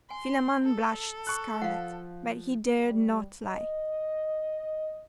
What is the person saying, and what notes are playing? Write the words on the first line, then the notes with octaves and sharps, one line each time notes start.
Philammon blushed scarlet, but he dared not lie.
G#5 C6
A4
C#6 F#6
F3 F5 F#5
G3
D#5